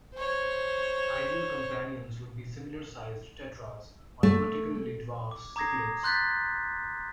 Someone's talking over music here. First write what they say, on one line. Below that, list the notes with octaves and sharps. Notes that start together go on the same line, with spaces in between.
Ideal companions would be similar sized tetras or particularly, dwarf cichlids.
C5 C#5
A3
D6
A#5 D6 D#6 G#6 A#6 C7
C6 F#6 G6 A6 B6